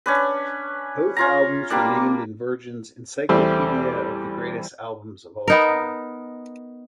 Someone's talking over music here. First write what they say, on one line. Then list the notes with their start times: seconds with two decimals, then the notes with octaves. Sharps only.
Both albums were named in Virgin's "Encyclopaedia of the Greatest Albums of All Time".
0.06 C#4 D4 B4
1.16 C#4 F4 A#5
1.70 G3 A#3 D4
3.29 E2 G3 A3 C4 E6
5.48 B3 D#4 A#4